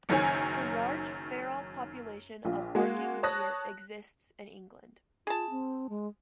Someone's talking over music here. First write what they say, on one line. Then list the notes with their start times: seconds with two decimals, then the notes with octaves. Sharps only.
A large feral population of barking deer exists in England.
0.09 F#1 F#2 D#3 C#4 G#5
2.45 A#1 F4
2.75 G#3 A#3 F#4
3.23 C#5 A5 D#6 F#6 A#6
5.27 F4 G#4 A5
5.50 C4
5.90 G#3